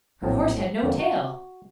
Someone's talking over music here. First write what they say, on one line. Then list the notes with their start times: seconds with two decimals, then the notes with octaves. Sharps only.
Her horse had no tail!
0.22 A#1 A2 F#3 C4 A5 A#5
0.83 F2 D3 A#3 C4
1.00 F#4